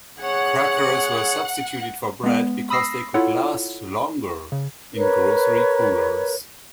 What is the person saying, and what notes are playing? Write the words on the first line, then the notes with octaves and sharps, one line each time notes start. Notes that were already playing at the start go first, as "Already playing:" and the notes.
Crackers were substituted for bread because they could last longer in grocery coolers.
G#4 C#5 F#5
G#3 B3
B5 D#6 E6 A#6 C7
E4 F4 A4 C#5 F#5
C#3
A#4 B4 C#5